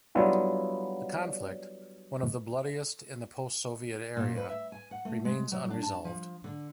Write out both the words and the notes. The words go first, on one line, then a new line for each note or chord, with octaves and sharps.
The conflict, one of the bloodiest in the post-Soviet area, remains unresolved.
F#3 G3 B3 D4 E4 F4
A#2
B4
E5
G#5
F#5
A3
G#3
F#3
D4
A5
F3
D3